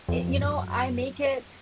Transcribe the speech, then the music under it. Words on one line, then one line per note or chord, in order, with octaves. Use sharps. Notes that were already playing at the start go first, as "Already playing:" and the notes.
you know, I make it,
F2
F#2
G#2
F#2